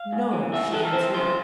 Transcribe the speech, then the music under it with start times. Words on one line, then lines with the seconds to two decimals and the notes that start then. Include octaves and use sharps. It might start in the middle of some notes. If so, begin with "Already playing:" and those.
"No," she answered.
Already playing: F5
0.13 G#2
0.33 E3
0.53 G#2 E5
0.73 E3 A4
0.83 A#4
0.93 F2 C5
1.14 C#3 F3 C5